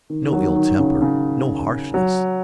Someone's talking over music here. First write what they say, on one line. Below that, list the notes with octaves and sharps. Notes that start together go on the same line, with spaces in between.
No ill-temper, no harshness.
D#3
D#3
F#3
D#3
C#3
C#3
F#3